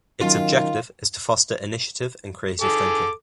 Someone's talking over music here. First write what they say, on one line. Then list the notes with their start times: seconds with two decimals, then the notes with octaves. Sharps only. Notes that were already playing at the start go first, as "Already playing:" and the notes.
Its objective is to foster initiative and creative thinking.
0.21 D#3 F#3 C#4 F4
2.61 G#4 A4 D6